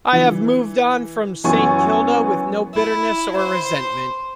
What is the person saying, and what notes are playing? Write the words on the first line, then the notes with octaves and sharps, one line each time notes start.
I have moved on from Saint Kilda with no bitterness or resentment.
E3
F#2 E3 B3 G#5 C#6
E4
C5